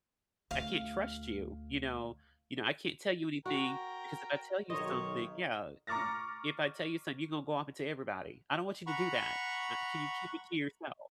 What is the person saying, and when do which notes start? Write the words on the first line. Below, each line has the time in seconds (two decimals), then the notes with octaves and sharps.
I can't trust you, you know know you know, I can't tell you anything because if I tell you something yeah, e e if I tell you something, you're gonna go off and tell everybody, I don't want you to do that, uh, can you keep it to yourself?
0.51 D2 F5
3.46 F#4 A#4 G5
4.70 B1 D#3 C5 C#5 D#5
5.87 A#5 C#6 D6 F6 A6 A#6
8.87 F#5 A#5 B5 C#6